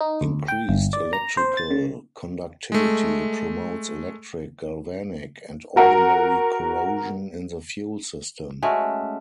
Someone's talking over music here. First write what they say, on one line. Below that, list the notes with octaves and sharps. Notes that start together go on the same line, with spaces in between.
Increased electrical conductivity promotes electric, galvanic, and ordinary corrosion in the fuel system.
D#4
D2
G5
G1
D5
A#5
C5
A6
C#3
G#3 A3
F#4 A#4 F#5
G#3 A3 C#4 F#4